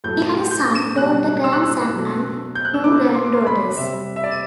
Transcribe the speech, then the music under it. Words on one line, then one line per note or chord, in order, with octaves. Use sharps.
He had a son, daughter, grandson and two granddaughters.
A2 F#3 A3 G6
G6
B2 G3 F#6
E6
F#6
E6
B2 F#3 A3
G6
F#6
E6
B2 A3 D6
C6
D6
C6
B5
C3 G3 E5
E5
D5